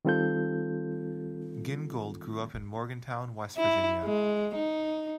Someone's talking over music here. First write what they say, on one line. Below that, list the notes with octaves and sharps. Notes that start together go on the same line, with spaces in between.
Gingold grew up in Morgantown, West Virginia.
D#3 G3 C4 F4 A4 G6
E4
G#3
D#4